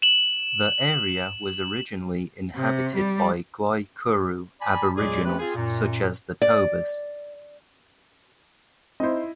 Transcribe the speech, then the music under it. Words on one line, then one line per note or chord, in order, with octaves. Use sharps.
The area was originally inhabited by Guaycuru aboriginals such as the Tobas.
E7 F#7
C3
G3
D5 G#5 A5 B5
E2 A#2 F#3 G#3 G#4 D5
A3 C4 C#4 G4 B4
C4 F4 G#4
F#2 A#2
D5
C4 D#4 E4 C5 D#5